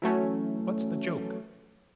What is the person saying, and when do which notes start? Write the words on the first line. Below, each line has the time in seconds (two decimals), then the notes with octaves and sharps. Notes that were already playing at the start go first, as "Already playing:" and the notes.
"What's the joke?"
0.02 E3 F#3 A3 C#4